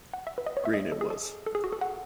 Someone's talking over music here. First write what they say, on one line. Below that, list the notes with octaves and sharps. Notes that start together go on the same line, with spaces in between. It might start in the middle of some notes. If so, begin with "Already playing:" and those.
Green, it was.
F#5
E5
B4
D#5
C#5
E5
D#5
A4
G#4
A4
A4
G#4
F#4
A4
F#5